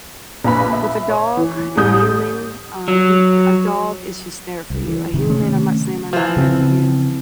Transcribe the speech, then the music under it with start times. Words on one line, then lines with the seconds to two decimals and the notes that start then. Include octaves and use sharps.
with a dog and a human, um, you a dog is just there for you, a human, I'm not saying they're not there for you,
0.44 A#1 A#2 B4 B5
0.73 E5
1.09 C#5
1.37 E3
1.77 A1 G3 D#6 G6
2.88 F#3
4.70 C2
4.87 E3
5.13 G2 C3 D#3
5.29 C3 D#3 A3 C#4
6.13 E3 F3
6.37 C#3 C4